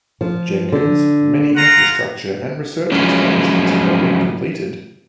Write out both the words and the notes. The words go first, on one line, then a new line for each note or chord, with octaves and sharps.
Jenkins, many infrastructure and research expansions have been completed.
F3
D3
F4 F#5 A#5
F3 F#3 G#3 C#4